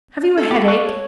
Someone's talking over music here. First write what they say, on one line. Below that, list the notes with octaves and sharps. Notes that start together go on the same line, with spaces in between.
Have you a headache?
A4
F#4 G4
F5 C#6 F#6
C#5